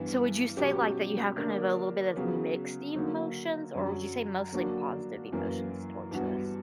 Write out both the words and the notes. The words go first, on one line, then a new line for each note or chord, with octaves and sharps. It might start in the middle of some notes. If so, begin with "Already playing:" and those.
So, would you say, like, that you have kind of a little bit of mixed emotions, or would you say mostly positive emotions towards this?
Already playing: G2 E3 B3
B2 F#3 C#4 G4
D3 A#3 D4 A#4
C#3 F#3 B3
D3 F#3 A#3
F#2 D3 F#3
D3 F#3 A#3 D4 F#4
F#2 E3 A#3
G2 E3 B3 F#4